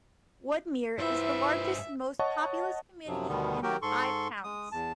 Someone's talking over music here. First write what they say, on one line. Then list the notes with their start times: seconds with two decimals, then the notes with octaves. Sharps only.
Woodmere is the largest and most populous community in the Five Towns.
0.98 G2 E4 F4 B4 C5 E5
2.19 C#5 D#5 F#5 A5 C#6
3.07 F#2 C3 F3 F#3
3.28 D2 B2 D3 D#3 G3 B3
3.63 D#3 F#3 F#4 G4 A#4 G5
3.82 G#2 A4 C6 C#6
4.44 G#3 D#6
4.72 E2 A5